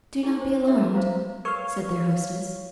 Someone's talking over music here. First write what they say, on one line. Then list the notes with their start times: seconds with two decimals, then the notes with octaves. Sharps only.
"Do not be alarmed," said their hostess.
0.23 D#4 E4 G#4
0.41 C5
0.66 D4 G4 E5
0.80 G#4 B4 D6
0.94 C5 F5 A#5
1.45 A#4 B4 C#5 F5 C#6